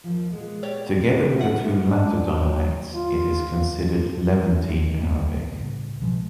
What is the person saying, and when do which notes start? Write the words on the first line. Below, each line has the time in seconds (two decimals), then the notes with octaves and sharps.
Together with the two latter dialects, it is considered Levantine Arabic.
0.04 D#2 F3
0.31 A#2 G#3 B3
0.63 G4 C#5 D5
1.39 E5 F#5
1.87 D4
2.23 F#3
2.95 F4
5.03 D#1 C#2 G2 B3
5.50 C2 A2 C#3
6.02 B2 F3 G#3